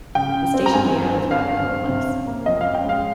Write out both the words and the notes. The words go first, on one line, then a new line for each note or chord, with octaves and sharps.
The station layout is rather complex.
C#3 G5
C#3
C4
A#5
G2 G#5
G2
C4
G2 F5
G2
C4
C3
C#4
A#3
F2 D#5
C#4 F5
G5
G#3 F5